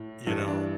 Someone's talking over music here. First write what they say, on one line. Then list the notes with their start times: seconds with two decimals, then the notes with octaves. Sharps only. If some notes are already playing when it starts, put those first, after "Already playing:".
You know,
Already playing: A2
0.27 G2 E3
0.48 D4